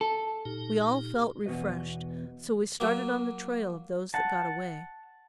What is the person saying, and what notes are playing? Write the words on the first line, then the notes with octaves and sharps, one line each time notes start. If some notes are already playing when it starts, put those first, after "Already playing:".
We all felt refreshed; so we started on the trail of those that got away.
A4
A#2 D#4 G4
E2 B2 D#3 F#4 B4 D#5
F#3 A#3
F#5 A5